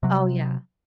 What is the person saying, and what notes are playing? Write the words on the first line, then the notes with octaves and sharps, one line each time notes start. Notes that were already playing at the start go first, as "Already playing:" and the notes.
Oh, yeah.
C3 F#3